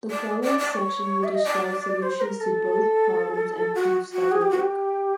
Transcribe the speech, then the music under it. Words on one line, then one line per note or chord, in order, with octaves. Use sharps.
The following sections will describe solutions to both problems and proofs that they work.
D5
D5
D5
C#5
E5
D#5
D5
C5
A#4
A4
F#4
F#4
G#4
G4
F#4
G4